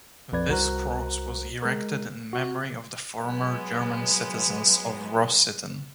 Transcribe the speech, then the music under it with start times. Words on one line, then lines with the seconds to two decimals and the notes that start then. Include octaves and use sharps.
This cross was erected in memory of the former German citizens of Rossitten.
0.32 A#1 F2 B4 D5 G#6
0.49 C2 F#4 A#4 C5 A#5 F#6
1.62 G#3 A#4
2.33 F#4
3.20 F#3 G#3 B3